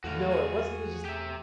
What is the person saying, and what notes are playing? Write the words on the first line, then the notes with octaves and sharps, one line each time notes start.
No, it wasn't the just
E2 A2 A3 F#4 F5
G#4
G4 E5